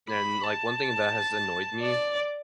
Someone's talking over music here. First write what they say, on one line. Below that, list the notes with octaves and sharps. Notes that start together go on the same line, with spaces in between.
And, like, one thing that has annoyed me
B5
A5
D5